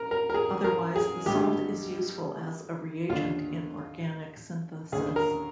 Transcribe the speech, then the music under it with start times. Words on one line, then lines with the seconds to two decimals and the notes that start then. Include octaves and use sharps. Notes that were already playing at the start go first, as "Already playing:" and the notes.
Otherwise the salt is useful as a reagent in organic synthesis.
Already playing: A#4
0.11 A#4
0.30 A#4
0.34 G#4
0.64 A#4
0.96 G#4
1.26 G#1 G2 D3 G4
3.09 D#2 D3 F4
4.92 D#2 D3 G#4
5.16 A#4